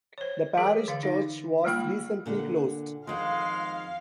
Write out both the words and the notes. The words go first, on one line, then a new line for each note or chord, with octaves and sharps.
The parish church was recently closed.
C5 C#5
E3 G#3 G#4 A#4
D3 E3 F5
D#4
G3 G#3 A#3 F4 G5 B5
A#2 D3 F#5
F2 D#3 G#3 F5 F#5